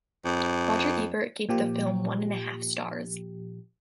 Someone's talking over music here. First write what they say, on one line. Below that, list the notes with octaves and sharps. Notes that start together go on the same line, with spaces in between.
Roger Ebert gave the film one and a half stars.
F2
A#2 F3 G4